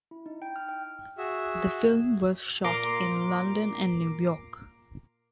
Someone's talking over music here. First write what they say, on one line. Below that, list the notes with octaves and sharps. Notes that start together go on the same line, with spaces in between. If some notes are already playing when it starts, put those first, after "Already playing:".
The film was shot in London and New York.
E4
D#4
G5
F6
G5
F#4 G#4 E5
A#2 A#4 A#5 C6 D6